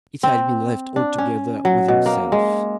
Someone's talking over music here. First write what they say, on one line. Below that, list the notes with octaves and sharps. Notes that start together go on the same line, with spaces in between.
It had been left altogether with himself.
C4
D4
C#4
F#3
B2
A#3
G#3